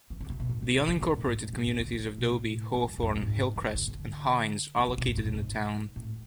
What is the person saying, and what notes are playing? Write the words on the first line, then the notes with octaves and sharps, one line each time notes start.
The unincorporated communities of Dobie, Hawthorne, Hillcrest, and Hines are located in the town.
E3
D3
C#3
B2
G#2
D3
E3
D3
C#3
A2
G#2
G#2
G#2
A2
D3
E3
B2
A2
G#2
F#2
E2
F#2
A2
G#2
E3
D3
D3
D3
D3
C#3
B2
A2
G#2
A2
G#2
A2